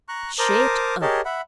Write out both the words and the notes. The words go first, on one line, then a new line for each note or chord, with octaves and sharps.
"Shet up!"
A#5 C#6 F#6
A#4 C5 A5 A#5 D6 D#6
G4 G#4 A#4 C#5 D#5 A5
E5 F#5 B5